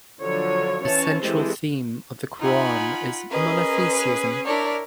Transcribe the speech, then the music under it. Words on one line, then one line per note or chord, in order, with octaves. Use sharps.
The central theme of the Quran is monotheism.
D3 F3 F#3 C#5
E3 C#4 C#5 A5
E3 G#3 C4 G4 A4 C5
D#4 F4 F#5 G#5 B5
C#4 G#4 A#4 B4 D#5
D4 E4 A#4 C#5 D5